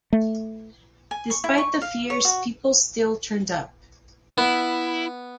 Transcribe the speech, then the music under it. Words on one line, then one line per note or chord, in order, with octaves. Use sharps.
Despite the fears people still turned up.
A3
G#5
C#6
E4
C#6
F5
C#5
F#4
B3 E4